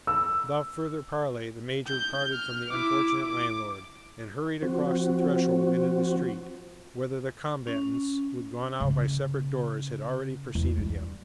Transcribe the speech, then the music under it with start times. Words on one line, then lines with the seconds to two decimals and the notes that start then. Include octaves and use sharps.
Without further parley the major parted from the unfortunate landlord, and hurried across the threshold into the street, whither the combatants, who had gone out by separate doors, had already preceded him.
0.07 E6
1.87 G6
2.33 F6
2.68 E4 D6
3.28 D6
4.62 F3 C4 F#4
7.67 C#4
8.80 C#3
10.55 E2
10.78 G3